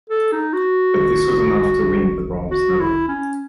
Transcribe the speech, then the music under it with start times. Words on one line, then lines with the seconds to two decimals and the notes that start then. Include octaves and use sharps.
But this was enough to win the bronze medal.
0.10 A4
0.32 D#4
0.53 F#4
2.51 F#4
2.80 E4
3.08 C#4